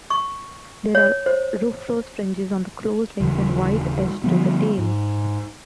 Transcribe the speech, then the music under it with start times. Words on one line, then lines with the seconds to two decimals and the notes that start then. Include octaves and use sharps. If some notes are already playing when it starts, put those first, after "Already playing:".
There are rufous fringes on the closed wings and white edged to the tail.
0.10 C#6
0.95 C#5
1.26 C5
3.20 D#1 C#3 E3
4.24 D3 F3 G3 B3
4.78 G#2